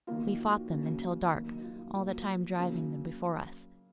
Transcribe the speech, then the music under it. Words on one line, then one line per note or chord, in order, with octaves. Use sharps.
We fought them until dark, all the time driving them before us.
D#3 A#3 F4
F#4
C#3 F#3 A#3 F#4
D#3 F#3 A#3
D#4
F4
F4
A#2 F#3 A#3 F4
C#3 F#3 A#3